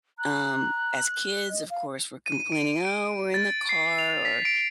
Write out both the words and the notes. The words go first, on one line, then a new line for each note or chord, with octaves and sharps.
Um, as kids, of course, we're complaining, "Oh, we're in the car," or,
A#5 F#6
D#5
F5
D#7
D7
D7
A6
C7
F7
B6
D7